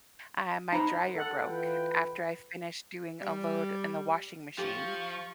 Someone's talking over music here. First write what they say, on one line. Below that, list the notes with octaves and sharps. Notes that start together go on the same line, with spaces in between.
Uh, my dryer broke after I finished doing a load in the washing machine,
D#4 C5 A#5 B5
A4 F#5
E3 F4 B4 G5
G3
F3 G4 F5 C#6